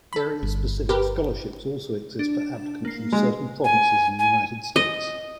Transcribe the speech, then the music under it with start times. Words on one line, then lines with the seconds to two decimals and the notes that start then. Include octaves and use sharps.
Area-specific scholarships also exist for applicants from certain provinces and the United States.
0.13 A4 B5
0.43 G1
0.89 G4 A#4 B4
2.19 D4
2.85 A#3 C7
3.13 G#3
3.64 G#5
4.19 G#5
4.76 D#5